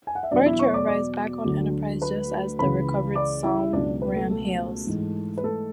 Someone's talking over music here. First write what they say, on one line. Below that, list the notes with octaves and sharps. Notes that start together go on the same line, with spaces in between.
Archer arrives back on "Enterprise" just as the recovered "Somraw" hails.
G#5
F#5
E5
E2 B2 F#3 D4 D5
E4 E5
C#5 C#6
D5 D6
D5 D6
D2 D3 F#3
B4 B5
C#2 C#3 E3 B4 B5
D5 D6
E4 E5
C#2 B2 F#3 D4 D5
B3 B4
A3 A4
A3 A4
G#2 E3
B4
A3 A4